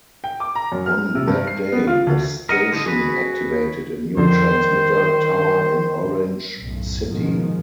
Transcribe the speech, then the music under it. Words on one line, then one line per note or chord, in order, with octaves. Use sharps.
On that day, the station activated a new transmitter tower in Orange City.
G5
D6
A#5
F#2
F6
C3
G2
C7
B3
F4
D2
A#4 D#5 F#5
D3 D#5
F#4 G#4 B4
F2 D3 D#3 C5
B1 F#2 A2
G#2 B2 D#3 F3 G#3